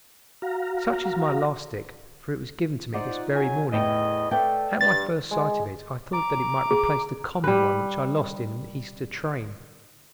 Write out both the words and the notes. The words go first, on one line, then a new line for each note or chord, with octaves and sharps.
Such is my last stick, for it was given to me this very morning. At my first sight of it I thought that it might replace the common one which I lost in an Easter train.
F#4 F5 A#5
D#4 F4 C5 D5 F#5
F#3 G#5
E2 A2 D#5 G5
A3 B4 D5 G5
G2 A6
G#3
A#5 D6
G#4
G3 B4